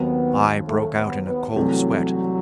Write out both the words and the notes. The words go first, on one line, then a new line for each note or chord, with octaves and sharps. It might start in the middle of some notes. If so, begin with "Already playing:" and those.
I broke out in a cold sweat.
Already playing: D#2 D#3 F#3 B3 C4
A3
B3
B3
C2 C3 E3 F#3 A3